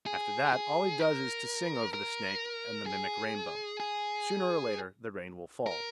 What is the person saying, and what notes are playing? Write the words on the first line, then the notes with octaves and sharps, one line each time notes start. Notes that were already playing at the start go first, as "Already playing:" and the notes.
After that all he does is to sing over the snake and the mimic rainbow; sooner or later the rain will fall.
G#4
G#4
A#4
A#4
G#4
G#4
A#4